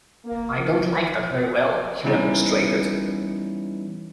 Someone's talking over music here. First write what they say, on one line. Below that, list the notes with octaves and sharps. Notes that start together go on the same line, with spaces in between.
"I don't like that very well," he remonstrated.
A#3
F3
E3 G3 B3 C#4 D#4 E4